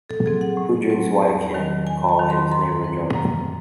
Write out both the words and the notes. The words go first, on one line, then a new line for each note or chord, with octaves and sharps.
Who drinks why can’t call his neighbor drunk.
A4
F#3 C4 G#4
F#5
A2
F#3 C4
E2
D#3 F#3
E2 G#5
A5
D#3 F#3
C6
F#2 C6
E3 C4
F#2